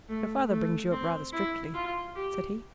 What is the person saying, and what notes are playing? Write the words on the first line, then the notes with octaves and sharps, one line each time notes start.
"Your father brings you up rather strictly?" said he.
A3
A3
C4
E4
F4
G4